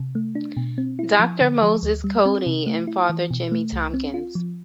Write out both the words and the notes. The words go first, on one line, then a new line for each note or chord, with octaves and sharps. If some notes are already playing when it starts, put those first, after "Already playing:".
Doctor Moses Coady and Father Jimmy Tompkins.
Already playing: C3
A3
D4
B2
C4
E4
F3
D3
F3
D2
G3
C4
C3
A3
E4
E3
B2
A3
C2
C4
F4
F3